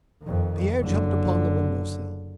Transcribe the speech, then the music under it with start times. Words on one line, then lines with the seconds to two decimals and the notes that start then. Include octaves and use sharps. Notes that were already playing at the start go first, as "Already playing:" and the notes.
Pierre jumped upon the window sill.
0.23 F2 D#3
0.80 F#1 D3